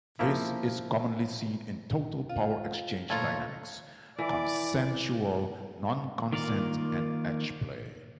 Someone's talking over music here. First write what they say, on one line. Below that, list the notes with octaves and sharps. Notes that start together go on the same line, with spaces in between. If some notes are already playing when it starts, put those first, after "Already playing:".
This is commonly seen in total power exchange dynamics, consensual non-consent, and edgeplay.
F3 A#3 E4
F4
D2 A#2 F4 A4 C#5 A#5
E3 D5
D#3 A#3 F4 A#4 D5